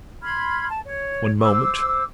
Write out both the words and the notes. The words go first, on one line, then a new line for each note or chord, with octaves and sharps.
One moment.
B5 C6 F6 G#6
A5
C#5
C5 D6 E6